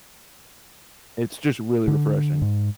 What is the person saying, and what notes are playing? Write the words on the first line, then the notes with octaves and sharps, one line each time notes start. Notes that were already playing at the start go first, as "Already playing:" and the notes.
It's just really refreshing.
D3
G#2